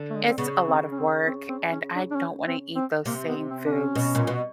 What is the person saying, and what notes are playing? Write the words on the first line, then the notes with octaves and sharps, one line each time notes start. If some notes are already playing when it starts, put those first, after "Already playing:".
It's a lot of work, and I don't wanna eat those same foods
Already playing: D3
A3
G#3
C4
C#3 B3
C4
C#4
C4
C4
C4
C#4
D4
D4
C#4
C4
C4
C3 A#3
B3
C4
D4
C#4
B2
A#2
B2